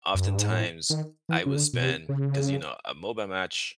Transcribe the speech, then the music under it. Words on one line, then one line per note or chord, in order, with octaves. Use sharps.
oftentimes I would spend 'cause, you know, a MOBA match
F#2
G2
G#2
A2
D#3
E3
C#3
D3
B2
C3
C#3